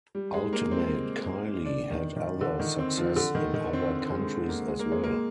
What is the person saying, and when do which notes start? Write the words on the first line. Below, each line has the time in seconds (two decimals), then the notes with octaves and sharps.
"Ultimate Kylie" had other success in other countries as well.
0.15 G3
0.34 G#3
0.53 A#3
0.71 C4
1.66 D4
1.90 D#3
2.16 D#3
2.41 D3
2.60 D#3
2.78 C4
2.98 F3
3.16 D3
3.35 D#3
3.54 D#3
3.73 C4
3.92 C4
4.10 G#3
4.49 A#3
4.68 G#3
4.79 A#3
4.92 G#3
5.04 A#3